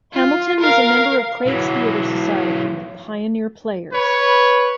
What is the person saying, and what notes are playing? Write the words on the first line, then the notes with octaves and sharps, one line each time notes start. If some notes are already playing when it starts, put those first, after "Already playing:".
Hamilton was a member of Craig's theatre society, the Pioneer Players.
F4
A#4 F5
E3 F#3
B4 C#5